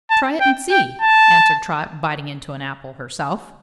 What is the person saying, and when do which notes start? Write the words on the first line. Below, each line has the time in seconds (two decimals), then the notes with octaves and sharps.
"Try it and see," answered Trot, biting into an apple herself.
0.10 A5
0.41 G5
0.71 G5
1.01 A5